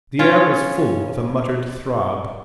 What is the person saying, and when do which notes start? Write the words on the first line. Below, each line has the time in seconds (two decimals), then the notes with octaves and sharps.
The air was full of a muttered throb.
0.19 C#4 F4